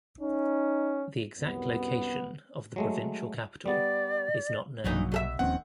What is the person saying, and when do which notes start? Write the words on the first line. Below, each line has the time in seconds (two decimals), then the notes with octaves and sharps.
The exact location of the provincial capital is not known.
0.21 C#4 D#4
1.38 C2 F#2 B3
2.76 F#3 G#3 A3
3.66 G3 B3 D5
4.84 B1 G2 C3 E3 F#3 A#3 D#4
5.12 B2 A4 E5
5.39 D1 D#2 D#3 F3 A#3 C4 C#4 F#5